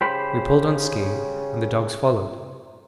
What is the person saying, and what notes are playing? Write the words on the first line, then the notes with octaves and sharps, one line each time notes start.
We pulled on ski and the dogs followed.
C#3 G4 C5 B5